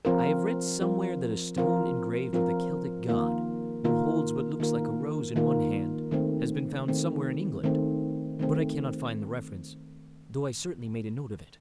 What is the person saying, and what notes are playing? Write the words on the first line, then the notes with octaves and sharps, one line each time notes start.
I have read somewhere that a stone engraved with a Celtic god, who holds what looks like a rose in one hand, has been found somewhere in England; but I cannot find the reference, though I certainly made a note of it.
F3 C4 F4 A#4
F3 C4 F4 A#4
F3 C4 F4 A#4
F3 C4 F4 A#4
D#3 A#3 F4 A#4
D#3 A#3 F4 A#4
D#3 A#3 F4 A#4
D#3 A#3 F4 A#4
D#3 A3 C4
D#3 A3 C4
D#3 A3 C4
D#3 A3 C4